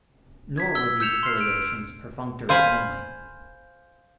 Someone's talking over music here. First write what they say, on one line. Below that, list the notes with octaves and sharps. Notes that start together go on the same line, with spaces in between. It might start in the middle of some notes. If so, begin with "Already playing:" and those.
Nor were these affiliations perfunctory only.
G#6 B6
E6 G7
E6 G6 C#7 E7 F7
C6 F6 C7
D7
C5 F5 G#5 B5